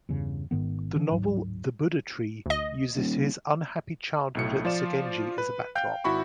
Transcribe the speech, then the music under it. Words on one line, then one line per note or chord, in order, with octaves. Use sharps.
The novel "The Buddha Tree" uses his unhappy childhood at Sogenji as a backdrop.
E2 G2 C#3
G#1 G#2 D#3 B3
D3 E3 D4
D1 G#2 F#3
D2 D#5
D#1
B1 A2 C#7
F3 F4 D5 E7
B4
F5 G5 G6
G#1 E4 F#4 B5 C#6